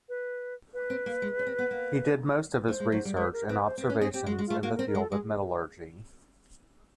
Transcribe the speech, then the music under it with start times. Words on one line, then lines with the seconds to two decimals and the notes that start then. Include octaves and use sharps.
He did most of his research and observations in the field of metallurgy.
0.09 B4
0.74 B4
0.90 C4
1.06 A#3
1.22 G#3
1.39 C#4
1.47 C4
1.59 B3
1.71 A#3
2.68 A3 C5
2.80 G#3
2.92 F#3
3.05 G3
3.17 G#3 B4
3.33 A#4
3.49 C4 B4
3.65 C5
3.78 C4
3.82 B4
3.90 C#4
3.98 C4 G#4
4.14 C4 G4
4.26 G#3
4.30 F#4
4.39 G#3
4.47 A3 F4
4.63 A#3 F#4
4.75 A#4
4.79 C4
4.87 A#4
4.95 G#3
4.99 A4
5.11 G#3 G#4